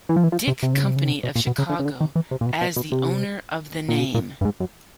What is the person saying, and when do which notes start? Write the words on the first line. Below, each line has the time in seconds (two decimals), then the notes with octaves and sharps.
Dick Company of Chicago as the owner of the name.
0.09 E3
0.16 F3
0.23 E3
0.32 F3
0.47 C3
0.63 C3
0.74 C#3
0.85 C3
0.96 C#3
1.07 C3
1.24 B2
1.35 A#2
1.47 B2
1.58 C#3
1.70 D3
1.79 C#3
1.85 D3
2.01 D#3
2.15 E3
2.31 C3
2.41 A#2
2.46 B2
2.61 B2
2.76 B2
2.92 C3
3.88 A#2
3.99 B2
4.14 A#2
4.41 G2
4.45 G#2
4.60 F#2